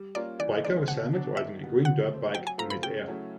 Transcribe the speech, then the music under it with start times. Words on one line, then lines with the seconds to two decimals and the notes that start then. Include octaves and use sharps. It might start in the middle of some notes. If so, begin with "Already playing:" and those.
Biker with helmet riding a green dirt bike midair.
Already playing: G3
0.15 A#3 C#4 F4 A#4 D5
0.39 E3 D5
0.64 G#3 C4 D#4 D5
0.88 B2 F#5
1.13 F#3 B3 D4
1.37 D#3 E5
1.61 G3 B3
1.85 F3 F#5
2.11 A3 C4
2.35 F#3 G5
2.47 G#5
2.58 A3 C4 F4 A4 A#5
2.70 B5
2.83 C#3 G5
3.08 F#3 A3 C#4 E4